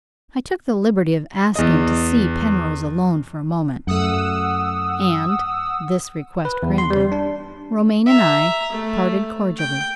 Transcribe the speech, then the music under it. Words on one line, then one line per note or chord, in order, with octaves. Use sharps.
I took the liberty of asking to see Penrose alone for a moment; and, this request granted, Romayne and I parted cordially.
E2 D#5
F#2 A3 F#5 D#6 E6
B4
E2
C6
G3
D4
E5 A#5
A3
G5